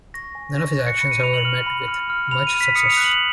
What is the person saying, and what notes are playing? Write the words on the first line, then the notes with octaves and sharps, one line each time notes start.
None of his actions, however, met with much success.
C#6 A#6
G#5
C#6 A#6
A#6
F#6
C#7
B5 C#7
D#7
B5 F7
F#7
F6
B5
F6
F6
B5 F7
D#7
F6
B6
D#6 C#7
F7
F#6
F#7